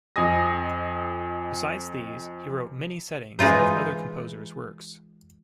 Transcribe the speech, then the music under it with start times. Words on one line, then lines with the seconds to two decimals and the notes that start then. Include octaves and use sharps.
Besides these, he wrote many settings of other composers' works.
0.16 F2 D#5 G#5 D#6 A#6
3.39 E3 G#3 D#4 F4 C5